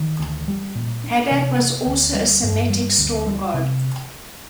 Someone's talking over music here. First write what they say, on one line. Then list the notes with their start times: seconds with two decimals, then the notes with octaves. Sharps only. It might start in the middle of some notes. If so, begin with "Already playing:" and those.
Hadad was also a Semitic storm-god.
Already playing: D#3
0.19 D2
0.48 G3
0.75 A#2
1.04 D4
1.31 C3
1.59 A#3
1.86 D2
2.14 G3
2.43 G2
2.70 G3
2.98 D2
3.27 G3
3.54 C3